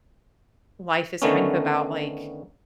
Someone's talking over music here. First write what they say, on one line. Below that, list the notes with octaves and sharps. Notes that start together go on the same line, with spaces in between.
life is kind of about, like,
D3 D#3 A3 B3 C#4